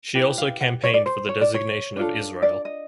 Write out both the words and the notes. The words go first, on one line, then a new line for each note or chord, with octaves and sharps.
She also campaigned for the designation of Israel.
E4 G4 B4
F5
F#5
C#5
D5
C5
C#5
D5
C#5
D4 F4 A4
D5
D#5